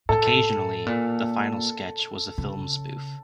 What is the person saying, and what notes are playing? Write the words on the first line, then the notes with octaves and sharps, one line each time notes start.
Occasionally, the final sketch was a film spoof.
A2 A4
A#2
C#3